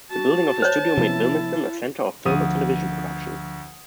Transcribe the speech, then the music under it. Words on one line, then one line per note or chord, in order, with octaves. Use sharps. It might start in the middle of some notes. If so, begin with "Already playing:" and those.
The building of the studio made Wilmington a center of film and television production.
F#4 A5
C5 C#5
C3 F3 B3 E4
D2 F3 D#6 D#7